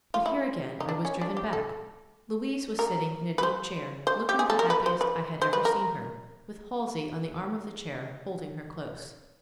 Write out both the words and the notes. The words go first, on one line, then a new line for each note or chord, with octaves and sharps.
But here again I was driven back. Louise was sitting in a deep chair, looking the happiest I had ever seen her, with Halsey on the arm of the chair, holding her close.
F4
E4
D#4
D4
C#4
D4
G4
A4
A#4
B4
C5
C5
G4
G#4
A4
A#4
B4
C5
B4
C5
B4
A#4